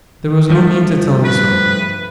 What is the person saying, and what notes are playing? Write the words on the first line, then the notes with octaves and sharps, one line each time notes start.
There was no need to tell me so.
G2 F3 A3
B4